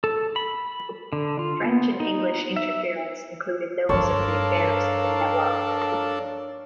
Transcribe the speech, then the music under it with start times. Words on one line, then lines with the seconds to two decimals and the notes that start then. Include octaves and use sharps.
French and English interference included those of the affairs of the Nawab.
0.04 A4
0.36 B5
1.13 D3
1.39 F4
1.64 B3
2.00 D#4
2.56 E5
3.89 G2 F3 D4 A4 A#4 C#5 F5 C6